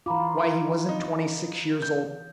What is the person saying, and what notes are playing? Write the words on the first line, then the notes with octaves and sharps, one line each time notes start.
Why, he wasn't twenty-six years old.
E3 F4 A#5 B5 D6
D#4
G6